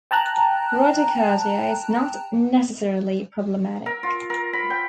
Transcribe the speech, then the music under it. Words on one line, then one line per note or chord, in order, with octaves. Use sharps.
Bradycardia is not necessarily problematic.
G5 A5 A#5 F#6
A#4
F4
A#4
B5
G5